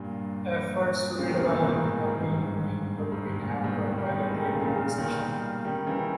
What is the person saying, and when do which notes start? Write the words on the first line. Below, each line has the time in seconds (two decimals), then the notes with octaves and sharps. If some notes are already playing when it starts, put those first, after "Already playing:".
Efforts to redevelop have been ongoing but been hampered by the Great Recession.
Already playing: G2 A#2
1.19 A#2 C#3
1.30 B2 D#3
1.41 C#3 E3
1.52 B2 D#3
1.63 G#2 B2
2.08 G#2
2.20 G2
2.33 G#2
2.97 G2
3.12 G#2
3.27 G2
3.42 G2 A#2
3.64 G#2 B2
3.87 B2 D#3
3.97 D#3 G3
4.08 D#3 G3
4.20 E3 G#3
4.31 D#3 G3
4.46 A#2 C#3
4.61 A#2 C#3
4.75 A#2 C#3
4.98 B2 D#3
5.20 D#3 G3
5.64 D#3 G3
5.87 C#3 E3